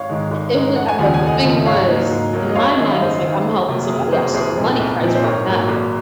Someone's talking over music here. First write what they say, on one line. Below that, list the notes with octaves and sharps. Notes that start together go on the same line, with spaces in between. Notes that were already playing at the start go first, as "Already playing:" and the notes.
It wa uh, but the thing was, in my mind, it's like, "I'm helping somebody else," so the money price won't matter.
Already playing: G#1 C#5 F5
G#2 D#3 G#3
G#1
G#2 D#3 G#3
F1 F#5
G#5
D#2 C#3 F3 F#5
G#5
F1
D#5 F#5
D#2 C#3 F3
G#2 C#5 F5
F#3 A#3 D#4
G#2
F#3 A#3 D#4
D#5
F#1 C#5 F5
F#2 D#3 D#5
F5
F#1 C5 D#5
F#2 D#3
F#1
F2 C3 F#3 A#3
G#4
F#1 A#4
F2 C3 F#3 A#3 G#4 C5
C2 G#4 C5
A#2 F3 C4 D#4
C2
A#2 F3 C4 D#4
C5
G#1 A#4 C#5
G#2 F#3 A#3
G#1